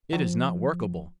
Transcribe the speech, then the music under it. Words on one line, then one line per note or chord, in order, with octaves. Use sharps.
It is not workable.
F3